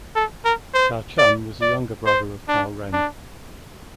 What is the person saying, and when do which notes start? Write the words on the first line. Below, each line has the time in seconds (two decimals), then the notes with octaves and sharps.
Cao Chun was a younger brother of Cao Ren.
0.16 A4
0.45 A#4
0.74 C5
1.18 D5
1.61 D5
2.06 C5
2.48 D4
2.93 D4